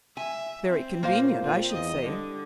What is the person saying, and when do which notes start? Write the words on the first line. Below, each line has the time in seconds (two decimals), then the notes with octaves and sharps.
'Very convenient, I should say.'
0.17 E5 G#5
0.70 C4
1.03 A#2 A#3 C5 F5
1.43 C4 F4
1.73 E2 D#5
2.04 D3 G3